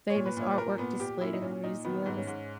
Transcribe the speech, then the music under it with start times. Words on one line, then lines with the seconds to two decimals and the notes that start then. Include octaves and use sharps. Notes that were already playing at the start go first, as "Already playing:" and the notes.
famous artwork displayed in the museums.
0.10 A#2 C#5
0.26 B4
0.37 A#2 C#5
0.51 B4
0.58 A#2 A#4
0.78 A#2 B3
0.99 A#2 G4
1.21 A#2 E4
1.33 D#4
1.42 A#2 C#4
1.64 A#2 D#4
1.85 D#3 B3
2.06 G#2
2.17 C#4
2.27 G#2